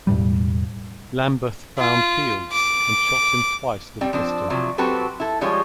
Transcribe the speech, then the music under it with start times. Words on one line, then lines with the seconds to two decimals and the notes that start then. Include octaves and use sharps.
Lamberth found Fields and shot him twice with a pistol.
0.07 E1 A2 G3
1.77 F4
2.52 D6
4.01 G3 C4 D5 G5
4.13 F3 C4 D4
4.50 C3 F3 F#3
4.78 F#3 C4 F#4 G4 A4 B4
5.20 E4 A4
5.41 F3 G3 G#3 F4 C#5